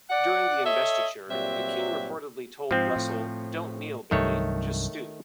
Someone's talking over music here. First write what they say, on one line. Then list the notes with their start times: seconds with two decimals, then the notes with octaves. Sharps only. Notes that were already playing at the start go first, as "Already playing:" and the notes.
During the investiture, the King reportedly told Russell "Don't kneel Billy, just stoop".
0.10 D5 F#5
0.64 A4 C#5 D#5 E5
1.29 G2 A#2 F#3 C4 G4 E5
2.71 G#2 F3 C4
2.96 A2
4.11 C2 G2 D#3 F#3 A3 C#5